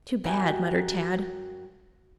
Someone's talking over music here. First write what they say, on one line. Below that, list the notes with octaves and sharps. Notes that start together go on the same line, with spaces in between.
"Too bad," muttered Tad.
F#2 F#4 G4 A#4 G#5